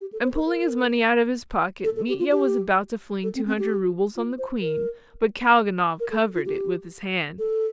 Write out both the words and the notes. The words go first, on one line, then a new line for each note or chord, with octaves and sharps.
And pulling his money out of his pocket, Mitya was about to fling two hundred roubles on the queen, but Kalganov covered it with his hand.
G4
A4
C5
A#4
A#4
A4
A4
G4
F4
G4
A4
C4
C4
G4
F4
C5
A#4
A#4
A4
F4
G4
A4